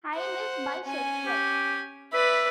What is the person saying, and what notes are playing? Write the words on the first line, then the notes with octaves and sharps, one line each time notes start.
Hine is bisexual.
C5 F#5
C#4 G#5
G4
B4 D5 E5